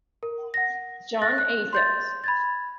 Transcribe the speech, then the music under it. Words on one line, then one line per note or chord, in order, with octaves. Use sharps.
John A. Dix.
A#4
F#5 A#6
F#6 A6 A#6
F#6
C6 G6 A6
B5 G#6 A6